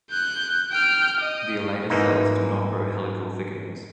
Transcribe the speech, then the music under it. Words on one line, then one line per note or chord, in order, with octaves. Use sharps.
The elater cells do not grow helical thickenings.
F#6 G6
G5 F6
D#5
G#2 E3 A#3 D#4